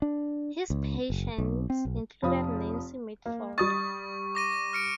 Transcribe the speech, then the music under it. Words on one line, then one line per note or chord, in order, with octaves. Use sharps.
His patients included Nancy Mitford.
D4
C#2
F#1
B1
C4
B1
F1 F3 C#5 F5 B5 D#6
A#3
G3 C#6 D#6 A6
D6 A#6 D#7
F6 C#7 D7